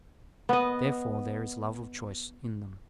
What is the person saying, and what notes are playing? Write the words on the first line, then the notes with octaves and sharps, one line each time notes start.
Therefore there is love of choice in them.
B3 D#5